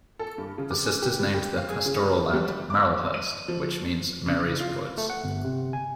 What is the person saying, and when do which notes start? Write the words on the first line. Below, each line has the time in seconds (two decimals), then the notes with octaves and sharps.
The Sisters named the pastoral land Marylhurst, which means "Mary's Woods".
0.19 A4
0.38 G2
0.58 C#3
0.71 D6
0.85 C#4
1.02 G4
1.19 G3
1.34 G4
1.57 F5
1.70 G#4
1.86 C#3
2.00 F6
2.33 G3
2.70 D6
3.14 D#7
3.48 F3
4.26 C#3
4.59 F4
4.98 A3
5.10 F#5
5.24 G1
5.44 C3
5.73 G#5